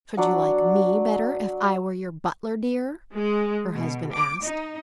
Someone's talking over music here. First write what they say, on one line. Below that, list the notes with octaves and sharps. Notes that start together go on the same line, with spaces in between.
"Should you like me better if I were your butler, dear?" her husband asked.
F#3 D4 F#5
G#3
B2
D6
D#4